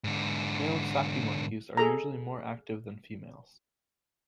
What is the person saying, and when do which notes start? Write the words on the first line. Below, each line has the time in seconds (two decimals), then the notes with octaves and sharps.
Male saki monkeys are usually more active than females.
0.04 G#2 D3
1.77 G#4 A4 A#5